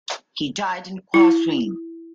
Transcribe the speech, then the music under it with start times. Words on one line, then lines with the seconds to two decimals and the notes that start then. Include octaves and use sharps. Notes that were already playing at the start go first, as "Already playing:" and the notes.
He died in Qazwin.
1.14 E4